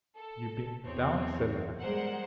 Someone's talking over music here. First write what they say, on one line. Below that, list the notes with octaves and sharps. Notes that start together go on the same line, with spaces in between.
"You been down cellar?"
A4
E2 C4 C#5
G3 G#3 A#4 C5 F#5